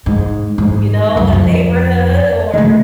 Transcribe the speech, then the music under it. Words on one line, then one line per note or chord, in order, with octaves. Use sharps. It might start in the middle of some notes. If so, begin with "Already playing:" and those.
you know, a neighborhood or
G#2
G#2
C#2 F#2
F2
C#3 A3